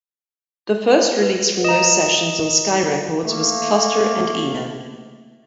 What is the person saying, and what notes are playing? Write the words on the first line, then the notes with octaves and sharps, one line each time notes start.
The first release from those sessions on Sky Records was "Cluster and Eno".
B4
D#5 A#5 E7
A3 A#3